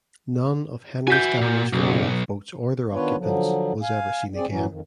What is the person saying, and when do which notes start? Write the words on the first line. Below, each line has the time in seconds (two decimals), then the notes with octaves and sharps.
None of "Henry Stanley"s four lifeboats or their occupants was ever seen again.
1.07 F#4 E5 G#5 G6
1.41 A#2
1.73 F#1 B1
2.94 D#3 B3 D4 F4 B4 C#5
3.17 D3 F3 F#3
3.82 F5 G#5
4.35 C4 G#4 D5
4.49 A2 E3 F#3 C#4
4.69 F2 D#3